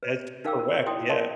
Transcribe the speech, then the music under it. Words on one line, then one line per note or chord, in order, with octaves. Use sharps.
That's correct, yeah.
B4 C#5
D#4 A#4 F5 G5 D6 E6
A#4
E4 G5 C6 D#6
A#4 D#5 F5 A5 C6 C#6